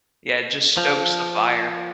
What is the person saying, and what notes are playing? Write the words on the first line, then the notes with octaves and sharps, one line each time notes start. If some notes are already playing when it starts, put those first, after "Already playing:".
Yeah, it just stokes the fire.
F3